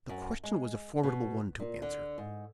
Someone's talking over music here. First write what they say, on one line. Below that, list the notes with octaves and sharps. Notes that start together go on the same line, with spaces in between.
The question was a formidable one to answer.
F#2
G#3
B2
A#2
D3
G#2